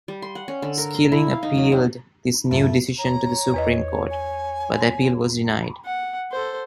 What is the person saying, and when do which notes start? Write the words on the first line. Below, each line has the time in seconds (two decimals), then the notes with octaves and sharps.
Skilling appealed this new decision to the Supreme Court, but the appeal was denied.
0.08 G3
0.22 C6
0.35 F#5
0.48 C#4
0.62 D3
0.78 A#4
0.95 C6
1.12 E4
1.30 F5
1.43 D#4
1.57 F#3
1.72 C4
2.51 F#2 A2 A3 F4
2.98 C#5 A#5
3.54 E2 B4 D#5
4.11 G#5
5.86 F#5
6.32 A4 C5